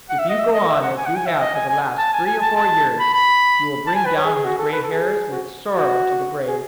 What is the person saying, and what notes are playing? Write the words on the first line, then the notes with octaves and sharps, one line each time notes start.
If you go on as you have for the last three or four years, you will bring down his gray hairs with sorrow to the grave.
F#5
E5
D#5
E5
D#5
E5
F#5
G#5
F#5
G#5
E5
D#5
G#5
G#5
A5
G#5
G#5
A5
A5
B5
B5
A5
G#5
B4
C#5
G#4
G#4
F#4
A4
B4
A4
G#4
F#4
F#4
G#4